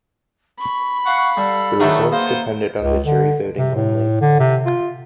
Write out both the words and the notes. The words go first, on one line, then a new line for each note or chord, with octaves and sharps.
The results depended on the jury voting only.
B5 C#6
F5 F#5 C#6
G3 A4
D#3 F#3 A3 D4 E4 G#4
A#3 B3 C5
C#2
D3
C3
A2
D3
C3
F4